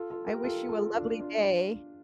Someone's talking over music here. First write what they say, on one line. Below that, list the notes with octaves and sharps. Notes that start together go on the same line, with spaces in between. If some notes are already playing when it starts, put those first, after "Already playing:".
I wish you a lovely day.
Already playing: F4 A4
F4 A4
G4 A#4
F4 A4
F4 A4
D4 F4
D4 F4